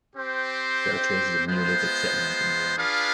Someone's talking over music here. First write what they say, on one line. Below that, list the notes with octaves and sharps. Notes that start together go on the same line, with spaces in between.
There are traces of Neolithic settlement in the area.
C4 G4 C5
G#3 B3 F4 C5
D4 F4 G#4 B4 F5